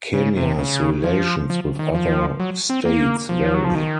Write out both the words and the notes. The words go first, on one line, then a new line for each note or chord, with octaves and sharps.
Kenya's relations with other states vary.
C#3
C3
C#3
F3
F3
D#3
F3
F#3
C4
A#3
F3
F#3
F3
D#3